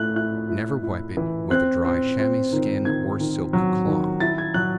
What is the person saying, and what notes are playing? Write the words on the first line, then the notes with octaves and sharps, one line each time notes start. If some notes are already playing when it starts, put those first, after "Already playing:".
Never wipe it with a dry chamois skin or silk cloth.
Already playing: A3 E4 F#6
E4 F#6
E4
E4
E3
C4 F#6
C4
C4
D#3
D#3 G#6
D#3
F#3
D#3
E4 A6
G#6
F#3 F#6